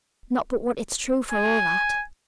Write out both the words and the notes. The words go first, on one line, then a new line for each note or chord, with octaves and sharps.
Not but what it's true for all that.'
G#5